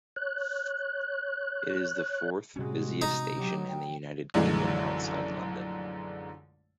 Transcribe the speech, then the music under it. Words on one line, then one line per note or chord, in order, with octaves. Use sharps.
It is the fourth busiest station in the United Kingdom outside London.
C#5 F#6
A2 C3 G3 G#3 C#4 F#4
D#4
F#3 G4
G5
A#1 F#2 D3 E3 G#3 A3